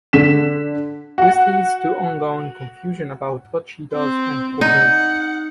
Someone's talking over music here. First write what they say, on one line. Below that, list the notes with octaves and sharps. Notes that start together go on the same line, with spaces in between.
This leads to ongoing confusion about what she does and for whom.
D3 B6 E7
F#4 F#5
C4
D#4 F#5